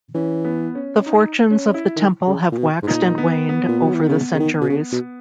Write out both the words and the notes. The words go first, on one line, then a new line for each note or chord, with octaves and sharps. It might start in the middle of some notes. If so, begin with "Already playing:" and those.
The fortunes of the temple have waxed and waned over the centuries.
E3 C#4
B3
C#4
D#4
C#4
E4
D#3
C#3
A#2
B2
G#2
A#2 D#4
B3
B3
A#2
B2
F#3
E3
D#3
C#3
C#3
D#3
B2
C#3
B2